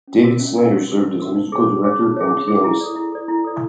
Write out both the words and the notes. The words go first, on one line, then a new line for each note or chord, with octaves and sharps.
David Snyder served as musical director and pianist.
C#4
F#4 A#4
C#4
F#4 A#4
C#4
F#4 A#4
C#4
F#4 A#4
D#4
G#4 C#5
D#4
G#4 C#5
D#4
G#4 C#5
D#4
G#4 C#5
E4
A4 D5
E4
A4 D5
E4
A4 D5